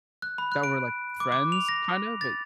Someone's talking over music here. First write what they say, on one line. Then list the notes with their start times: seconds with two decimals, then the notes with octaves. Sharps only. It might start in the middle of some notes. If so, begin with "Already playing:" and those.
that we're, like, friends, kind of, but
0.22 F#6
0.38 B5
0.52 F#6
0.63 D7
1.20 D6
1.32 D6
1.52 F7
1.69 A#6
2.21 A6